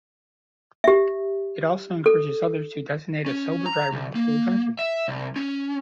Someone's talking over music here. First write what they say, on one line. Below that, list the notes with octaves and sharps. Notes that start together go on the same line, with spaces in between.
It also encourages others to designate a sober driver before drinking.
G4 E5
A4
C#4
A#5
C2
A#3
E5
C2
C#4